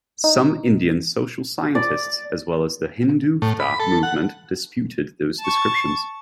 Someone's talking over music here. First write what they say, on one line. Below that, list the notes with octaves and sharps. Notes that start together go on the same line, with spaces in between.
Some Indian social scientists, as well as the Hindutva movement, dispute those descriptions.
D#4
D5
A2
B5
A4
F#5
A5 C#6